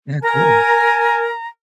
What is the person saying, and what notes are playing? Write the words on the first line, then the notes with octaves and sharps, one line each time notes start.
Yeah, cool.
A#4 G#5 A#5